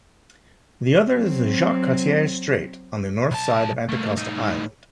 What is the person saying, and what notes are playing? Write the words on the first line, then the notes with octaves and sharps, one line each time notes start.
The other is the Jacques Cartier Strait on the north side of Anticosti Island.
F#3 C4
B1 A5
A3 A#3
A2 D#4